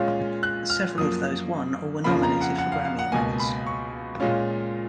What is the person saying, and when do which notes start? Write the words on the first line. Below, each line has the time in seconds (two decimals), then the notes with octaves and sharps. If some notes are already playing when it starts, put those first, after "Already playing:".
Several of those won or were nominated for Grammy Awards.
Already playing: A#2 G#3 C#4 F4
0.43 F#6
0.70 F6
0.97 F#2 F3 A#3 D#6
2.04 F2 C#3 F3 A#3 B5
2.23 A#5
2.41 F#5
2.58 F#5
2.72 F5
2.85 F5
2.99 F#5
3.12 C#2 B2 A#3 G#5
3.40 B5
3.67 C#6
4.20 A#2 G#3 C#4 F4